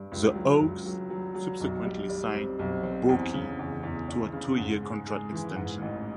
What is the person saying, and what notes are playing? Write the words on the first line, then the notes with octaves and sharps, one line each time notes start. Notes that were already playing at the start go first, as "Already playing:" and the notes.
The Hawks subsequently signed Bourque to a two-year contract extension.
Already playing: G2
C#2
F#3
C#2
F#3
F#3
F#3
B1
G3
G3
C4
B1
C4
E2
C#3
E2
E2
E2
C#3
G#2
G#3
G#3
E3
G#2
A1